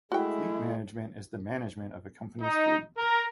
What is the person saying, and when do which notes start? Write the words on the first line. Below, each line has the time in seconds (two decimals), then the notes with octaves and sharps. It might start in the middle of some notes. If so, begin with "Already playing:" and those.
Fleet management is the management of a company's fleet.
0.12 G#3 A3 E4 F#4 G#4 G5
2.41 D#4
2.97 A#4